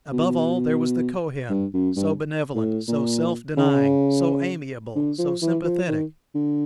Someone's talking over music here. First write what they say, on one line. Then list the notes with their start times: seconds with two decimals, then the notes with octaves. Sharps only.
Above all, there was the Kohen, so benevolent, so self-denying, so amiable, so sympathetic.
0.12 B2
1.50 G2
1.74 F#2
1.96 G2
2.55 A2
2.88 A#2
3.57 C#3
4.95 D3
5.19 F3
5.42 E3
5.64 F3
5.88 D#3
6.35 D3